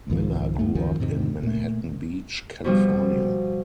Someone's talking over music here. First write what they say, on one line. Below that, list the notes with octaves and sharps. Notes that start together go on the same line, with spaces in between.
Miller grew up in Manhattan Beach, California.
C2 G#2 D#3 F3
D2 G2 A3
C#2 F#2 D#3 F3
E2 G#2 C3 D#3
A#2 A3
B2 F3 G3